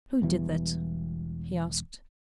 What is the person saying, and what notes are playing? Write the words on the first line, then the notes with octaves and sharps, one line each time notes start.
"Who did that?" he asked.
E1 E2 E3 G3